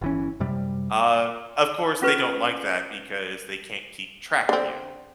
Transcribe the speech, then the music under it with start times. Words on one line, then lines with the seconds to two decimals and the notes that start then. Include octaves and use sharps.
um, of course, they don't like that because they can't keep track of you,
0.01 G1 E3 C#4
0.40 F#2 C3 G3
2.02 C#4 F4 A4 B4 C#6
4.49 D3 C4